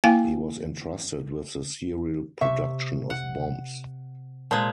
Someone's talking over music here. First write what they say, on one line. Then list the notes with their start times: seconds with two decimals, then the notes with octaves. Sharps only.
He was entrusted with the serial production of bombs.
0.04 A#3 E4 F5 G5 G#5
2.41 C3 E5 C#6
3.10 F#5
4.51 A#2 G#3 C5 A5